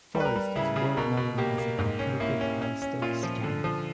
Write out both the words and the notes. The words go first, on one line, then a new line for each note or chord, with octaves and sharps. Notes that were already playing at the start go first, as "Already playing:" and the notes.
Forrest is well known as a competitive high-stakes gambler.
G3
B4
A#4
G3
C#3 E4
C#3 G#4
B2 A#4
B2
A#3 G4
A#3
G#2
C#4
A#3 E4
C#4
C#4
C#4
A#2 F4
F3
D3
F3